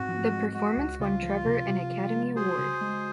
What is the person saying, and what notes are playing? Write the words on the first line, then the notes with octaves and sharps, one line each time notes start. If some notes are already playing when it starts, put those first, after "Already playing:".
The performance won Trevor an Academy Award.
Already playing: G#2 C4 F#4
F3
G#3
G#3 F#4
C#2
C#3 F4
F3
C3
C3
F3
G#3
F#4 G#4 C5
C#3
G#3